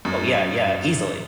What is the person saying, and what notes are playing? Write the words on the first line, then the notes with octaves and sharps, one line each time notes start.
Oh yeah, yeah, easily.
F#2